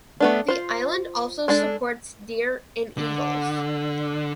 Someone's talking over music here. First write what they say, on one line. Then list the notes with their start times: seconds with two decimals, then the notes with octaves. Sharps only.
The island also supports deer and eagles.
0.20 A3 B3 D4
0.48 F4 C5
1.48 G#3 D4 A4
2.98 D3